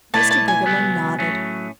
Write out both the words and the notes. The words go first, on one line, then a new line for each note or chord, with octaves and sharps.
Mr. Briggerland nodded.
B2 A3 E4 B4 D5 A5
A5
G#5
C#2 B2 F#3 B3
A2 F#3 A3 C#4